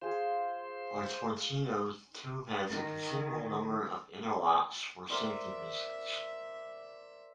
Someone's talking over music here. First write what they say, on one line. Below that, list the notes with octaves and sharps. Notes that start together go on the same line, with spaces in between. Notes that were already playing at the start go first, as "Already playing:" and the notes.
A torpedo tube has a considerable number of interlocks for safety reasons.
F4 G#4 C5
D#3
A#4 C5 D5 E5